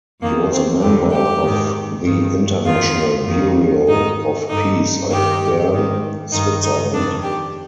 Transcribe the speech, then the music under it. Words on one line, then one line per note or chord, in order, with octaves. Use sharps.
He was a member of the International Bureau of Peace at Bern, Switzerland.
F2 D#3 A#3
C4
F2 D3 G4
G4
G#2 D#3
G2 D#3
F2 D#3 F4
F2 D#3
G#2 D#3 D#4
G2 D3 D#4
G2 D#3 G4
G#2 D#3
G2 D#3 D#4
D#4
F2 D#3 D4
G4